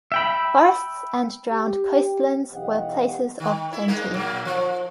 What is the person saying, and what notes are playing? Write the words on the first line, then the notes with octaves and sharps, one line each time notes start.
Forests and drowned coastlands were places of plenty.
E5 G5 B5
G4
B1 E3 G4 D#5 F5 F#5
D#3
E4
G#3 A#3 D#4
A#2 F#3 A#3
F3